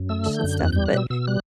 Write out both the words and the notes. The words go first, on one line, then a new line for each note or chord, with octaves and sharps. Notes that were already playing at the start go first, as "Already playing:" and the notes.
and stuff, but
Already playing: F#2
A3 E6
D3
G6
F#2
E2 F#6
G3 G6
F#6
B2 E6
B2 E6
G3 F#6